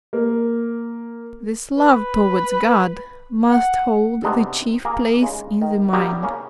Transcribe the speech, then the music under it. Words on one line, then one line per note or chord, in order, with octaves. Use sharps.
This love towards God must hold the chief place in the mind.
A#3
B4
F#5
C3 B3 D4 D#4 G#4 A4
A#3 G#4 A#4
C#3 G#3 D#4
D#3
F#3 G3 A#3 D#4 E4 G4
C#3 A#3 C#4